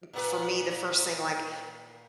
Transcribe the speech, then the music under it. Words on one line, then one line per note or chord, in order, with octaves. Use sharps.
u m for me the first thing, like,
A#2 B3 B4